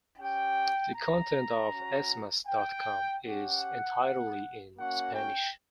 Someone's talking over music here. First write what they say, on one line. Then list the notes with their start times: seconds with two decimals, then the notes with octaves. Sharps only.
The content of esmas dot com is entirely in Spanish.
0.18 C#4 G4 G5
0.94 A#5
1.71 C#4 F#4
2.47 G5
3.25 C#4 G4 F#5
4.77 A#3 C#4 F#4 F#5
5.15 G5